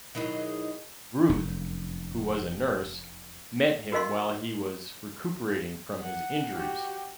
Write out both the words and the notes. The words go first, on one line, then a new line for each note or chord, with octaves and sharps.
Ruth, who was a nurse, met him while he was recuperating from his injuries.
B2 D#3 F#3 E4 G#4 D#5
F1 F#2
F#4 A#4 D#5 F5 C6
F#5
F#4 G4